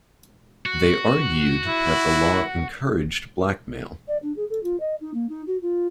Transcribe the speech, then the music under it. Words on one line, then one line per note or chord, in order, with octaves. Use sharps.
They argued that the law encouraged blackmail.
F#4
E4
D5
D4
G#4
A4
F4
D#5
D#4
A#3
D#4
F#4
F4